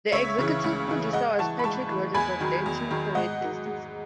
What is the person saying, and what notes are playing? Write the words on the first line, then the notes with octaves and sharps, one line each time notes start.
The executive producer was Patrick Rodgers of Dancing Ferret Discs.
C#2 C#5 E5
C#3 E3
C#2
C#3 E3
G#2 D#5 F#5
E3 A5 C#6
B5
G#2 A5 C#6
E3
E2 G#5 B5
D#3 F#3
E2
D#3 F#3
G#2 D#5 F#5
F#3
G#2